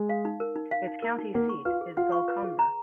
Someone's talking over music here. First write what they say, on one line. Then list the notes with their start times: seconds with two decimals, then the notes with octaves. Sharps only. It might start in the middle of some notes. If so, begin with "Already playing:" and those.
Its county seat is Golconda.
Already playing: G#3 G#4
0.09 F5
0.25 D#4
0.40 A#4
0.56 D#4
0.71 F5
0.87 D#4
1.02 A#4
1.18 D#4
1.34 A#3 A#4 F#5
1.49 C#6
1.65 F4 B4 F5
1.81 G#4
1.97 F4 F5 F#5
2.12 C#6
2.28 B4
2.44 G#4
2.59 A#5